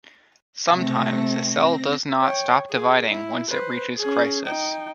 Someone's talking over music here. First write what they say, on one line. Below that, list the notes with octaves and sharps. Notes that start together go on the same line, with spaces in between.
Sometimes, a cell does not stop dividing once it reaches crisis.
C3 A3 C4 A#6
C#5 G5
G#4
E4
B4 C5
C#4 G#4
D#4 G5